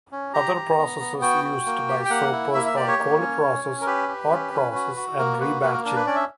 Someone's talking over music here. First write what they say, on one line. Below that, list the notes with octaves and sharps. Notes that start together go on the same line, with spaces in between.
Other processes used by soapers are cold process, hot process and rebatching.
C#4
G4 A#5
G4
B3
B3
F#4 G5
F#4
A#3
G4
G5
A#3 F#5
E4
A#3 E5
E5
G4 D5
C#5
A#3
C#4
C#4
C#4
A#4
G4 B4
G4
C#4
C#4
F#4
F#4
A#3 A#4
F#4 B4
A#3 B4
A#4
D4 A#4
B4
C#4 D5
E5